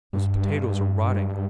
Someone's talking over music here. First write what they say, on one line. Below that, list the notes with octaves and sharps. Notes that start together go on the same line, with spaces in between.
Those potatoes are rotting.
G2